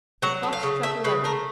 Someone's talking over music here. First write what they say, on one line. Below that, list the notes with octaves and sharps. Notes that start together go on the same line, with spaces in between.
The clock struck eleven.
F#3 F#5
A3
F5
C#3
A3 E5
C#3 B4
A3 A#4